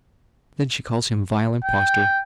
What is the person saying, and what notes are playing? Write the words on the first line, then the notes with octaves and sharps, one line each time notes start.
Then she calls him vile impostor.
G5